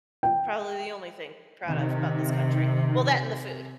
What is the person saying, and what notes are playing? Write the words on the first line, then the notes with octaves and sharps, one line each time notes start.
probably the only thing to be proud of about this country. Well, that and the food.
G5
C3 D#3